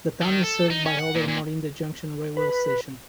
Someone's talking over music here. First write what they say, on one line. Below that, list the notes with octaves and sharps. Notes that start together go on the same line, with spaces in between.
The town is served by older Morinda Junction railway station.
D#3
A4
D#4
C#4
F#5
A#2
A#2
B4